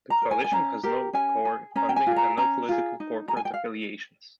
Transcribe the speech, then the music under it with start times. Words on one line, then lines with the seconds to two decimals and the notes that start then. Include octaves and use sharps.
The Coalition has no core funding and no political or corporate affiliations.
0.10 A#5
0.22 A#4
0.31 G#5
0.44 G#5
0.52 C#4 A#5
0.83 G4 A#4
1.13 C#4 G#5
1.45 G#4
1.76 C#4 A#5
1.89 G5
1.96 G#5
2.07 F4 G#4
2.16 A#5
2.37 C#4 A#5
2.69 F4 G#4
3.00 D#4
3.28 G#4 A#5
3.37 G#5
3.45 G5
3.54 F5